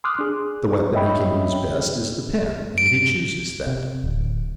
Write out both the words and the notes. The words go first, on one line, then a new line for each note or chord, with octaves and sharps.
The weapon he can use best is the pen, and he chooses that.
C6 D6 D#6 F6 F#6
D4 G#4
C#5 D#5 E5 G5 B5
D7
C3
D1